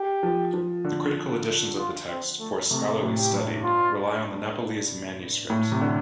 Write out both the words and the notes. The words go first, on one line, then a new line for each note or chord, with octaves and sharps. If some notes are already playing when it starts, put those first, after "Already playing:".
The critical editions of the text, for scholarly studied, rely on the Nepalese manuscripts.
Already playing: G4
F3
F3
D3
F4
C4
A3
C3 A3
A2
G4
G2
F4
A2
C3
D3